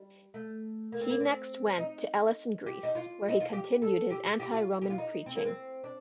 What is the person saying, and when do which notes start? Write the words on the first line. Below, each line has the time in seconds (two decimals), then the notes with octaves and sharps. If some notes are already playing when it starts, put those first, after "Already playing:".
He next went to Elis in Greece, where he continued his anti-Roman preaching.
Already playing: G3
0.34 A3
0.92 A#3
1.01 C4
1.10 A#3
1.20 C4
1.78 D#4
2.66 G4
2.83 D#4
2.95 F4
3.28 D#4
3.40 F4
3.53 G4
3.82 A4
4.10 G4
4.25 G4
4.40 G4
4.54 F4
4.82 G4
4.90 F4
4.98 D#4
5.26 C4
5.36 A#3
5.45 C4
5.84 D4